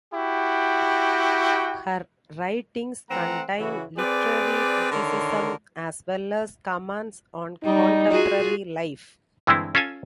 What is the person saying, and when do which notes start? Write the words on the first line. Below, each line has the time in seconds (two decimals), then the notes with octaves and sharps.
Her writings contain literary criticism as well as comments on contemporary life.
0.14 E4 F#4 G4 G5
3.10 E3 A3 C4 F#5 A#5
3.58 C#3 E3 E4 F#4
3.97 C4 G#4 B4 D5
4.92 D3 D#3 A#4 C#5 C6
7.63 G3 D#4
8.11 F4 F#4 G#4
9.47 G2 D3 E3 G#3 C4 E4
9.75 C#4 F4 A4 F5 G#5